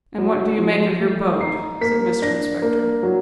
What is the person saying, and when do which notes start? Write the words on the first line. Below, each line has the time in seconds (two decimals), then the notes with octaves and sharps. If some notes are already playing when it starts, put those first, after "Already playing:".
'And what do you make of your boat?' said Mr Inspector.
0.18 F#3
0.59 F3
0.99 A3
1.40 D#4 C7
1.81 A#3 B6
2.22 D4 A#6
2.62 A#3
3.03 F#3